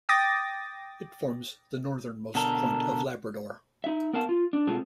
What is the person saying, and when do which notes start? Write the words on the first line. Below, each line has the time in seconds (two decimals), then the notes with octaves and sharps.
It forms the northernmost point of Labrador.
0.09 G5 D6 D#6 A6 A#6
2.35 B2 D3 A4 A#4
3.84 D#4 E5
4.13 B3 A#4 F5 A5
4.29 F4
4.53 D4
4.67 B2 G#3 C4 F4 G#4 A4